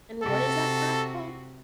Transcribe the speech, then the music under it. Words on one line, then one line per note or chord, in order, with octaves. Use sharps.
And what is that crop called?
C3 F#4 A4